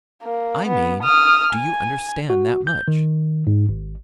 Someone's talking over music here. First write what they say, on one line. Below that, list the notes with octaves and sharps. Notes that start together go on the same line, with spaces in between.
"I mean, do you understand that much?"
A#3
B3
D#6 F6
G#5
F#4
G6
D#3
G#2
G#1